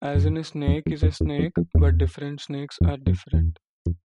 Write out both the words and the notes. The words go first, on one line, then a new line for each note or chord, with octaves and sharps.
As in a snake is a snake, but different snakes are different.
F#2
F2
E2
F2
E2
F2
F2
E2
F2
F#2
E2
F2